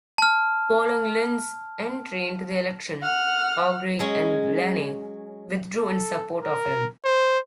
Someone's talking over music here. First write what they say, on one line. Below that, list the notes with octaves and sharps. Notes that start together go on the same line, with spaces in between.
Following Lynch's entry into the election, Haughey and Blaney withdrew in support of him.
A5 F6
F#5 F6
F#3 G#3 C#4
A4
A#4
C5